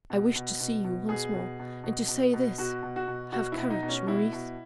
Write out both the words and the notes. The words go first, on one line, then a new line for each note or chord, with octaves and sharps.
I wished to see you once more, and to say this: Have courage, Maurice.
B2
B2
B2
B2
B2 G#4
B2
B2
B2
B2
B2
B2 F#4
B2
F#4
B2
B2 F#4
E4
B2
D#4
B2
C#4
B2 E4
B2